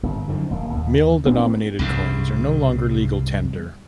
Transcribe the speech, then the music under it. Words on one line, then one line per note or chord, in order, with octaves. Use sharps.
Mil-denominated coins are no longer legal tender.
G1
F#2 D3 D#3 F3
D#1 A#3
D#2
A1 B3 C4 D4
C2 G2 C#3